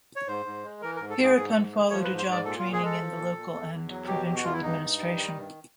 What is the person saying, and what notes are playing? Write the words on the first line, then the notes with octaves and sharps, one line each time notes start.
Hereupon followed a job training in the local and provincial administration.
C#5
G#2 C5
G#2
G#3
E3 A#4
G#2 A#4
A4
G#2
G#4
G#2 G#4
G#2 A4
A3
F3 C#5
G#2 B4
C5
G#2 D5
A#2 A4
A#2 F4
G#4
G#3 A4
F3
A#2
A#2
E2
E2
F#3
B2 G4
E2 G4
F#4
E2 F4
E4
G2 D#4
G2
G3
D#3
G2